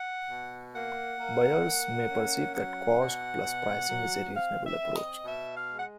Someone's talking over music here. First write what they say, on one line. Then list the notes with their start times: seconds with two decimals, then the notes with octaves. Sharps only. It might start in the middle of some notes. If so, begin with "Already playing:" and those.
Buyers may perceive that cost-plus pricing is a reasonable approach.
Already playing: F#5
0.28 B2
0.74 A#3 F#5
1.19 A#3
1.64 A#3
2.08 C#4
2.54 F#3 F#5
3.00 B2
3.44 B2
3.89 F#3
4.34 C4 F5
4.64 E5
4.80 C4
4.95 D#5
5.25 B2 E5
5.55 F5
5.70 G#3
5.77 F#5